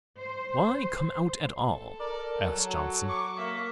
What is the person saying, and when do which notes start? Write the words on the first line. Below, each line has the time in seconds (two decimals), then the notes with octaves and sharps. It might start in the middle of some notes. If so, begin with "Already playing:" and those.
"Why come out at all?" asked Johnson.
0.19 C5
1.70 A4
2.00 A#4 D5
2.49 F#3
3.07 C#6 D6
3.37 A#3 E5